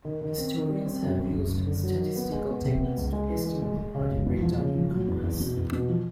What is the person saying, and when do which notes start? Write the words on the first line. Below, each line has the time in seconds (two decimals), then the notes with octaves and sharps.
Historians have used statistical techniques to estimate the party breakdown in Congress.
0.05 D#3
0.21 D#3
0.38 C4
0.54 D#3
0.70 G3
0.86 C4
1.03 F#2
1.18 F#2
1.36 F#1
1.51 F#1
1.67 D3
1.83 F#3
2.00 D#3
2.16 B3
2.32 G#3
2.49 B3
2.65 C3
2.81 B3
2.97 C#2
3.13 G#3
3.30 E3
3.45 G#3
3.62 G#3
3.78 G#3
3.95 C#3
4.11 E1
4.26 E2
4.42 F3
4.59 C#3
4.75 F3
4.92 F#3
5.08 E2
5.23 E2
5.40 B2
5.57 E2
5.72 B2
5.89 F3